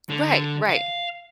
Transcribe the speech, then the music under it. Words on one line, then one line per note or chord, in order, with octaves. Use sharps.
Right, right.
D3
F5